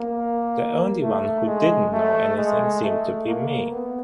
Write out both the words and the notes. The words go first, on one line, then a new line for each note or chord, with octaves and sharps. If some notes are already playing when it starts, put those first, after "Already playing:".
The only one who didn't know anything seemed to be me.
Already playing: A#3
A3
G#3
A3
G#3
A3
A#3
B3